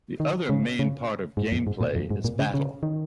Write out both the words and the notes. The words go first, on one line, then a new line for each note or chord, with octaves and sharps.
The other main part of gameplay is battle.
D#3
C#3
C#3
G#2
F2
G#2
A#2
F2
G#2
A#2
C#3
C#3
D#3